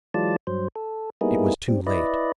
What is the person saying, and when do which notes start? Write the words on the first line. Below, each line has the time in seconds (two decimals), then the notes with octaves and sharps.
It was too late.
0.14 E3 F#3 G#3 F4 D5 A5
0.47 G2 F#3 C5
0.76 A4
1.21 G3 A#3 B3 D#4 E4 G#4
1.68 G3 C4
1.87 E4 B4 D5 D#5